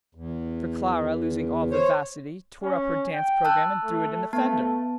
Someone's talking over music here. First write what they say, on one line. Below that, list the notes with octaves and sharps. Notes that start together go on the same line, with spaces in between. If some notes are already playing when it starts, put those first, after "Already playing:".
For Clara, losing all vivacity, tore up her dance programme and threw it in the fender.
E2
C5 C#5
C#4
G5
A5 E6 F#6
A3
A3 B3 A5